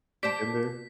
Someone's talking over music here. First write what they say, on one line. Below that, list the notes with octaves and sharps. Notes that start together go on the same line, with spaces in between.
you been there?
G4 C5 D5 A5 B6